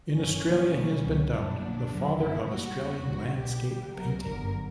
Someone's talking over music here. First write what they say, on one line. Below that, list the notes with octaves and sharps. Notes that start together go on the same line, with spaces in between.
In Australia he has been dubbed "the father of Australian landscape painting".
G1 G2 F#3 C#4
A#1 A#2 F#3
B1 A#2 G3
C#2 B2 F#3
F#2 D3 G3 D4
B1 A#2 F#3
E2 D3 F#3
G1 F#2 C#3 E3 E4
A#1 A#2 G3 F#4
E2 C#3 G3
D2 D3 F#3
B1 B2 G3 G4
A#1 A#2 G3
C#2 B2 F#3 A#4
G1 F#2 D3 F#3 A#4